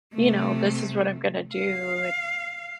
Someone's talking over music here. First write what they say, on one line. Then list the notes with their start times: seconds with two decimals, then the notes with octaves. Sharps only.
you know, "This is what I'm gonna do," and
0.15 C3 A3
1.56 F5